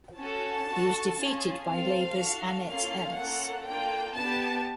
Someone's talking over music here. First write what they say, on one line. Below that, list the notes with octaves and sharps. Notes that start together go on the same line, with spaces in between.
He was defeated by Labor's Annette Ellis.
C#4 F#4 A4 A5
D4 F#4 A4
C#4 F4 G#4
C4 F4 A4 F5
D4 F#4 A4
A#3 C#4 F4 A4 F5
A#3 C#4 F4 A4 F#5
A#3 D4 F4 A4 G5
B3 D4 G4 A5